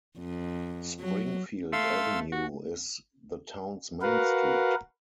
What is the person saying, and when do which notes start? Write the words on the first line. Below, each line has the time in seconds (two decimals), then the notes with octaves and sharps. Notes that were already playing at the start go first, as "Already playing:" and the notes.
Springfield Avenue is the town's main street.
0.19 F2
1.00 F#3
1.73 A3 F5 C6 E6
2.32 F#4
4.02 F#4 A#4 B4 F5 F#5